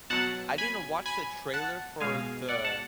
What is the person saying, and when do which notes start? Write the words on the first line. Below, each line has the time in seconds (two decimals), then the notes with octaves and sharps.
I didn't watch the trailer for the
0.10 B2 F#3 F#5 A5
0.58 G#5 B5
1.06 G#5 B5
1.54 F#5 A5
2.00 B2 G#3 F5 G#5
2.49 D5 F#5
2.65 F#5 A5